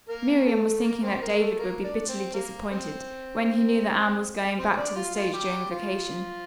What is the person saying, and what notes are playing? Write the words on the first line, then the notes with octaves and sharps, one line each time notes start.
Miriam was thinking that David would be bitterly disappointed when he knew that Anne was going back to the stage during vacation.
A#3 A#4
A3 A4
A#3 A#4
C4 C5
A#3 A#4
A3 A4
A#3 A#4
D4 D5
C4 C5
A#3 A#4
C4 C5
C4 C5
D4 D5
F4 F5
F4 F5
G3 G4
F3 F4